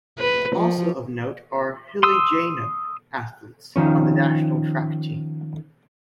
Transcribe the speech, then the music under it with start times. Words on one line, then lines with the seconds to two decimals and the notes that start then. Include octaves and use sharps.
Also of note are Hiligaynon athletes on the national track team.
0.18 B4
0.56 F3
2.03 C6 D#6 E6
3.76 D#3 F3 C#4